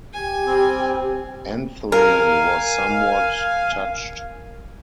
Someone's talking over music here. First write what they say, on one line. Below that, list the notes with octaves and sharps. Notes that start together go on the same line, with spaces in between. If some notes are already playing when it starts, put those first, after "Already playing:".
Anthony was somewhat touched.
G4 G#5
G3 C4 G5
A#4 F5 G#5